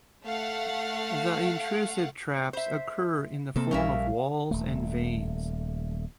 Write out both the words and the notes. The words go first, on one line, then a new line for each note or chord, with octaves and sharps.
The intrusive traps occur in the form of walls and veins.
A3 F5 F#5
C5 E5
C3 A#3 C4 A4
A#1 G3 C#4 A#4 E5 F5
D#1 A3